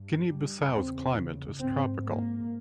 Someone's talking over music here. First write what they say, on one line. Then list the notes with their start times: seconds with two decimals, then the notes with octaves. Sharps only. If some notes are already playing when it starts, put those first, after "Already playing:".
Guinea-Bissau's climate is tropical.
Already playing: G2
0.29 G3
0.73 E2 C#3 C4
1.61 G#2 C4
2.05 A#3